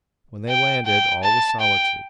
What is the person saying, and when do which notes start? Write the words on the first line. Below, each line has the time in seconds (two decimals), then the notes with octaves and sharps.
When they landed, all was solitude.
0.49 G5
0.86 G5
1.23 A5
1.60 G5